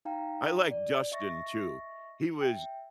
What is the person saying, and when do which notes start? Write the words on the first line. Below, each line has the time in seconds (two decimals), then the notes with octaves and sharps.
I like Dustin too. He was
0.05 D#4 F5 G5 A#5
0.71 D5
1.12 D#5 E5 C#6 A6 A#6
2.41 E5 G5